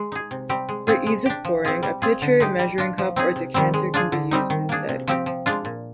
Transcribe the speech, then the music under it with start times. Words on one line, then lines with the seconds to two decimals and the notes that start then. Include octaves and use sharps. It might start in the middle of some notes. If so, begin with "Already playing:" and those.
For ease of pouring, a pitcher, measuring cup, or decanter can be used instead.
Already playing: G#3
0.12 D#4 G#4
0.31 C3
0.49 G3 C4 G4
0.69 G#3
0.87 C4 F4 G#4
1.06 G#3
1.26 D4 G4
1.45 F3
1.65 C4 F4 G#4
1.83 G3
2.02 C4 F4 G#4
2.22 D3
2.40 G#3 D#4 G4
2.59 G3
2.78 D4 F4
2.98 F3
3.16 C4 D#4 G#4
3.36 C3
3.54 D#3 G3 C4
3.74 G#3
3.94 D4 F4 G#4
4.12 D3
4.31 G3 C4 D#4
4.50 D#3
4.69 A#3 D4 G#4
4.89 C3
5.08 F3 C4 G4
5.26 F3
5.46 G#3 D4 F4
5.65 A#2